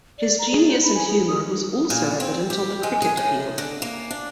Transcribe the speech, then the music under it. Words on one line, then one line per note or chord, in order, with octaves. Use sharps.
His genius and humour was also evident on the cricket field.
D5
A#5
G#4
C5
B5
G#5
G#4
D#6
A#2
C4
G4
G#3
G#4
A2
D3
A#3
D4